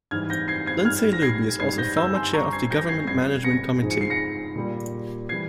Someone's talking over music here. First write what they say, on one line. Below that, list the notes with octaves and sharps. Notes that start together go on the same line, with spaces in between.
Lindsay Luby is also a former Chair of the Government Management Committee.
G#2 E3 G3 F6 G#6
G6 A#6
G#6 C7
G#6 C7
G#2 G3 F6 G#6
A#6
G#6 C7
G#2 G3 G#6 C7
G6 A#6
E6 G6
G#5 C6
G2 G3 A#5 C#6
G#6 C7
G6 A#6
G#6 C7
F2 C#3 G3 G#6 C7
A#6 C#7
G#2 F3 G#3
C#7
C7
A#6 C#7
A#2 G3
E3 G3 G#6 C7